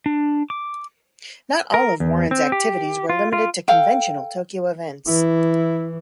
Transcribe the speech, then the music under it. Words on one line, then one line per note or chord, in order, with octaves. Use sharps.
Not all of Warren's activities were limited to conventional Tokyo events.
D4
D6
A#4
E2
C4
G4
F4
F4
A4 F5 G5
E3 E4